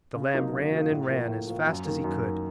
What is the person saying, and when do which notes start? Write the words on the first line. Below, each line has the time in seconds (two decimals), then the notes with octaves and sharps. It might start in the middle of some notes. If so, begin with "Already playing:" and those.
The lamb ran and ran as fast as he could.
0.16 C#3
0.34 F#3 A#3 D#4
0.53 C#3
0.72 F#3 A#3 D#4
0.91 A2
1.10 F3 A#3
1.28 A2
1.48 F3 A#3
1.66 F#2
1.85 D#3 A#3
2.04 F#2
2.23 D#3 A#3